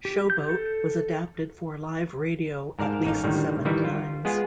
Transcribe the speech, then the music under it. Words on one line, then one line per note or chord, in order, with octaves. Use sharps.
"Show Boat" was adapted for live radio at least seven times.
G4
G6
A4
G#2 A#4 D5 F5 A5
A1 D#4 F5
A2 D3 D#3 G3
D#3 E3 G3 D#4 E4
F4
G#3 B3 F4 G#4